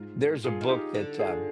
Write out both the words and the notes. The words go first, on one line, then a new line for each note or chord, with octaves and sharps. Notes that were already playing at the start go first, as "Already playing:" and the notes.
there's a book that, uh,
Already playing: G#2 F4
A#2 F4 G#4
D#3
D#4 G4
D3
F4 G#4